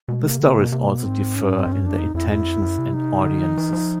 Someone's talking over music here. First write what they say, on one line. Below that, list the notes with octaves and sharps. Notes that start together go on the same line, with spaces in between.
The stories also differ in their intentions and audiences.
B2 G#3
G#3
C3
A#3
D3 A#3
C#3
B2
C3
B2
B3
G#2 C4
C#4
C4
G2
C#4
F#2 D4
F2 D#4
F2 E4
E4
F#2
C3
D#4
C#3
D3
D#3
E3
F3